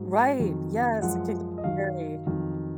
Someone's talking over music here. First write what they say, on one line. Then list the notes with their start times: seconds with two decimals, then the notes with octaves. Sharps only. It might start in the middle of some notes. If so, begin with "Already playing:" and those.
Right. Yes, it can be scary.
Already playing: G#2 F#3
0.40 F2 D#3 F#3
1.02 F#2 F3 G#3 F#5
1.58 D#5
1.64 F#2 D#3 F#3 F5
2.26 F2 D#3 F#3